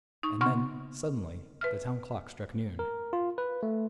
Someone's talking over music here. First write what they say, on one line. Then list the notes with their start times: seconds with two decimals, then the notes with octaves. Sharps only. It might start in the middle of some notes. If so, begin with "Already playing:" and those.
And then, suddenly, the town clock struck noon.
0.23 D#4 C#6
0.41 C#3 B3 F#5 C6 C#6 F6
1.61 B4 E5 F6
2.79 A#4
3.13 F4
3.38 B4
3.63 A3